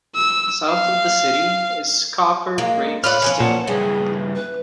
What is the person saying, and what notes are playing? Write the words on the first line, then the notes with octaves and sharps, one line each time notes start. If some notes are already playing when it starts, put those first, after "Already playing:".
South of the city is Copper Breaks State Park.
E6
F5
G#3 A#3
A2 F4 D5 B5 F6 F#6
E3 F3 C#4
A#2 F#5 A5
G2 C#3 E3 G#4
B4